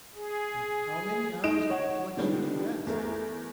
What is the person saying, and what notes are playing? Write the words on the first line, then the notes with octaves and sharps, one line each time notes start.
"And how many hours of reflection do you ask?"
G#4
D#4 D#5 D7 E7
C#5 F#5
D3 F3 G3 G#3 B3 D#4
E2 A3 A#4